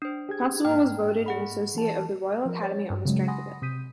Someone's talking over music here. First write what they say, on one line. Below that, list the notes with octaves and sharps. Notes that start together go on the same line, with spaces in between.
Constable was voted an Associate of the Royal Academy on the strength of it.
D4 C5
G4 G#4 G#6
G#2 A#3 G5 F6
G#4 F#5 B5
E3 A4 A5
F3 A#4
C#5 A6
G2
C#3 F#3 G#3
F#5 G#5 B5 C6 D#6 A#6
C3 D#6 G6 B6 D#7